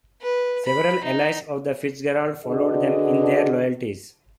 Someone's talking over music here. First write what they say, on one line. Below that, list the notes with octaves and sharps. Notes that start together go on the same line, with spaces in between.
Several allies of the FitzGeralds followed them in their loyalties.
B4
B5
D#4
D3 D4 F#4 G#4 B4 D#5